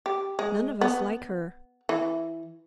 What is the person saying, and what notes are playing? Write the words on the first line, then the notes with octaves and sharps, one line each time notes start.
"None of us like her."
G4
G#3
B3
E3